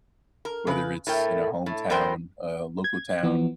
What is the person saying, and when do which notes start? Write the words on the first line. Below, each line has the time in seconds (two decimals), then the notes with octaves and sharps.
whether it's in a hometown, uh, local town,
0.45 A#4
0.67 C#3 B4
1.07 A2 A3 A#4 G5
1.66 A2
1.90 F#2 F#3 B3 A#4 C5 G5
2.84 G#6
3.23 E3 F3 B3